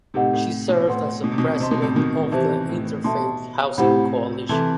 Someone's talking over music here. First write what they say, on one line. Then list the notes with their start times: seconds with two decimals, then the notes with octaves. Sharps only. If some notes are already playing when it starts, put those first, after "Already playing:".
She served as president of the Interfaith Housing Coalition.
0.14 A2 C3 D#4 G4 B4 D#5 F#5
0.33 A2
0.69 B2
0.87 A2 B4 F#5 C6
1.24 B2
1.31 C3
1.38 B2
1.59 C3 C5 D#5 A5 C6
1.71 B2
1.82 A2 C3
1.95 B2 D#3
2.31 C3 E3 G4 C5 E5 A5
2.69 A2
3.04 B2 A4 E5 A5 C6
3.78 A2 C3 E4 G4 C5 F#5 B5
4.49 C3 E3 A4 E5 A5 C6